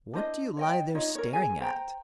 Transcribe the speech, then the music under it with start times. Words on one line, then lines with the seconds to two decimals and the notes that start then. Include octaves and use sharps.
'What do you lie there staring at?'
0.14 D4 E4 C5 D#5
0.57 C#5 D#5 G5
0.95 D#4 F4 C#5 D#5
1.15 A#4 C#5
1.33 G#4 G#5
1.61 C5 G5 A#5